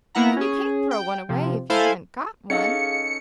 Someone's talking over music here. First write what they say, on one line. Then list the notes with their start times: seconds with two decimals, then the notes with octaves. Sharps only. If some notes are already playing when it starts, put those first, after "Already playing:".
"Then you can't throw one away, if you haven't got one."
0.15 A#3 B3 E4 F#5 A#5
0.36 C#4 G#4
0.91 G5
1.29 C3 F3
1.70 E4 A4 C5 F5 G#5
2.50 C#4 D#4 G#4 A4 D#5 F5 C#7